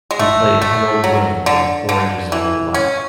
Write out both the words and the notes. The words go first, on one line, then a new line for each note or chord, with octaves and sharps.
He played Harold Bloom in "Orange is the New Black".
G#3
A3
A3
F#3
D3
D3
E3
C#4